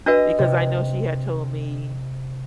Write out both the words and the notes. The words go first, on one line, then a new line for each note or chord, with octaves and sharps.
because I know she had told me,
D4 F#4 B4 D#5
C3